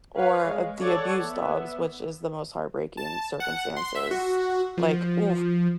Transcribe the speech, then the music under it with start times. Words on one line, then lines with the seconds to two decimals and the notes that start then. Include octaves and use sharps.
Or the abused dogs, which is the most heartbreaking circumstances. Like, oof,
0.16 B4 C#5 F5
0.47 G#3
0.82 A4 C#5 D5 F#5
1.24 B3 E5
2.97 A5
3.40 F#5
3.76 C6
3.95 E5
4.11 F#4
4.77 F3